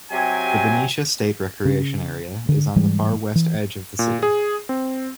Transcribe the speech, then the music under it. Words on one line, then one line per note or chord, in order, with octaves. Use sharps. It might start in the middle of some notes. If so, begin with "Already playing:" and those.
The Benicia State Recreation Area is on the far west edge of the city.
C3 F#3 G4 G#5
C#3
D3
G#2 E3 G3 G#3
E3
A#2
G#4
C4